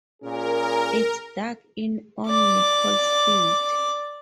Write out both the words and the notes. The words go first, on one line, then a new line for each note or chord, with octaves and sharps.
It's dug in on Nichols Field.
A#2 C#4 G#4 A#4
D5 D6